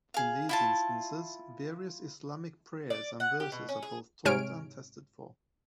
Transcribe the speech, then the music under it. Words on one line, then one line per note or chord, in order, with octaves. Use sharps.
In these instances, various Islamic prayers and verses are both taught and tested for.
G#4 F5
E4 F4 A5
D5
F#5
G4
B2
C#4
G#4
G#2 C3 C#5 G#5 F6 D7